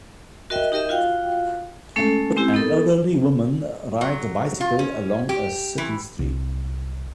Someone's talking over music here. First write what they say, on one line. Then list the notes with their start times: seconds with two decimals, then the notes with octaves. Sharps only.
An elderly woman rides a bicycle along a city street.
0.50 F#4 A#4 D#5 E5 G5
0.72 D#4 G4 A#4 D#5 E5
0.89 F4 F#4 F5 G5
1.96 G#3 A3 C#4 A4
2.36 G#3 C4 E4 G4
2.54 B3 D#4 A4 A#4
4.01 F#3
4.61 F4
4.79 C#4
5.29 G4
5.78 E3
6.19 C2